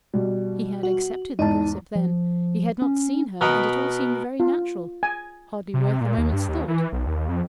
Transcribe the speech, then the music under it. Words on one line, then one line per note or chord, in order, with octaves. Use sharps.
He had accepted the gossip then; he had not seen her and it all seemed very natural;--hardly worth a moment's thought.
B2 G3
F#4
E2 G#2 D#4 A5
F3
C#4
B2 A#4 D#5 F#5 B5
F4
G#5
C3
A#2
D#2
G2
D#2
E3
B1
D#2
F2